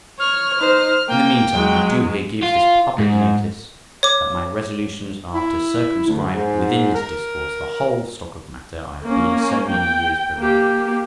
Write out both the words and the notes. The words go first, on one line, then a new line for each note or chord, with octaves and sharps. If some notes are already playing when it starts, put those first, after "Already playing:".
In the meantime, I do here give this public notice that my resolutions are to circumscribe within this discourse the whole stock of matter I have been so many years providing.
C#5 F6
D#4 C5
A#3 G5
F#3 G#3
F4
G#2
C#5 D6
E4
D2
G#2
A#4
A#3 C#4
G5
A#3 G4